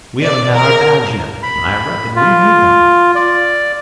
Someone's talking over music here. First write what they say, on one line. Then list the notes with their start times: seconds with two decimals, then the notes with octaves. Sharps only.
"We haven't had our baths yet and I reckon we need them."
0.22 D5
0.55 A#4
1.43 B5
2.16 F4
3.15 D5